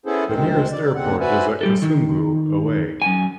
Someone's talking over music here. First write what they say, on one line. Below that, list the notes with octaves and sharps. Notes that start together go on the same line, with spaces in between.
The nearest airport is at Kasungu, away.
B3 C#4 E4 G#4 A4 C5
D2 D#3 G#3 C4 C5
D5
D#2 C#3 C4 F#5
F#4 B4 C5 D5 E5 G#5
G3 G4 A4
D#3
F#2 G#5